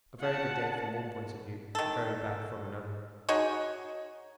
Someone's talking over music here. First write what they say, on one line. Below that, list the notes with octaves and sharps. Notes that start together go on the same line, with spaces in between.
A very good day from one point of view, very bad from another.
F#5 A5
D#3 A4
D#4 F#4 G#4 C#5